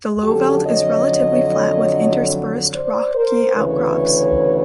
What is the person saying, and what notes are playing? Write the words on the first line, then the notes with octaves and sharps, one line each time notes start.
The Lowveld is relatively flat with interspersed rocky outcrops.
F2 D3 F#3 G4 A4
C#5 D#5
C5 D5
A#4 C5
D2 C#3 E3 B4 C#5